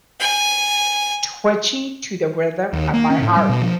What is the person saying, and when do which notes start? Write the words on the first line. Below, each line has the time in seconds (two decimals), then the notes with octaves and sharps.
twitching to the rhythm of my heart.
0.21 G#5
2.73 D#2
2.93 A#3
3.10 C#4
3.22 A2
3.36 G3
3.49 B2
3.62 F3